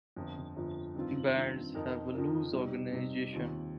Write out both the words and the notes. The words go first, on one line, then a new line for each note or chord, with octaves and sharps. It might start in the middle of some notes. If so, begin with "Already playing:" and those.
Bands have a loose organization.
G1 F2 F3
G1 F2 F3
G2 D#3 C4 F4
G2 D#3 C4 F4
F2 F3 D#4 A#4
F2 F3 D#4 A#4
C3 G3 C4 D#4
C3 G3 C4 D#4
D#2 D#3 C4 F4